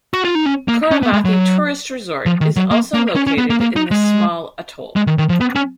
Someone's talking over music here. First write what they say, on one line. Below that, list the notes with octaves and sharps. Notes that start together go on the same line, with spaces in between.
Kuramathi Tourist Resort is also located in this small atoll.
F#4
F4
D#4
C#4
A#3
C#4
B3
G#3
F#3
F3
D#3
F#3
A#3
A#3
C#4
C#4
B3
A#3
A#3
D#4
G#3
G#3
D#3
D#3
F3
B3
C#4